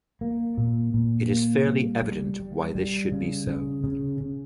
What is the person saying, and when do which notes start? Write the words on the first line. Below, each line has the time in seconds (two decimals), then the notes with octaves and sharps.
It is fairly evident why this should be so.
0.21 A#3
0.58 A#2
0.94 A#2
1.30 A#3
1.66 G3
2.02 G3
2.40 G3
2.75 G3
3.12 C#3
3.47 C#3
3.84 C#3
4.21 C#3